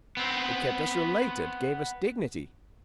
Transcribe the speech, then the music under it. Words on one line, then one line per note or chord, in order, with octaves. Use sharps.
It kept us related--gave us dignity....
B3 C4